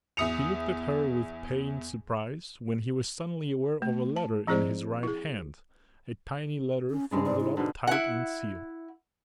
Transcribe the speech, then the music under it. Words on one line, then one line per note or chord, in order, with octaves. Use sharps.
He looked at her with pained surprise, when he was suddenly aware of a letter in his right hand, a tiny letter folded up tight and sealed.
E2 E5 D#6 C#7 F7
A3
A5
F3 C4 E4 G#4 C5 D5
E4 G#4
C#4
G2 G#3 C#4 D5
G#2 D5
E4
B2 D3 D#4
E4 F#5